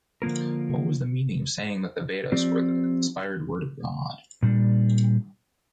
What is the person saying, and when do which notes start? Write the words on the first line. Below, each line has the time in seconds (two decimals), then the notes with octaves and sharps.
What was the meaning of saying that the Vedas were the inspired word of God?
0.22 D3 F3 A#3 F4 A#4
2.32 F3 C4 G4 D5
4.43 A#2 G3 D4